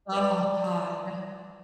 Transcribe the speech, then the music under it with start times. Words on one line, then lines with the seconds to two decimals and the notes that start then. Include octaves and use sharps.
Oh, God.
0.12 B4 D5